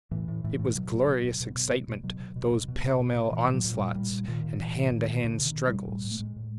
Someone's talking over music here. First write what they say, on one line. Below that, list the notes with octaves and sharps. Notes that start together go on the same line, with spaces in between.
It was glorious excitement, those pell-mell onslaughts and hand-to-hand struggles.
A2 E3
A2
A2 E3
A2
B2 F#3
B2
B2
B2
B2
B2
B2
B2
B2 F#3
B2
B2
B2
B2
B2
B2
B2
A#2 E3
A#2 F#3
A#2
G3
A#2
A#2 G3
A#2
A#2 D#3
A#2
A#2 E3
A#2
A#2 D#3
A#2
B2 D3
B2
D#3
B2
G3
B2
A2 G3
A2
A3
A2 G#3
A2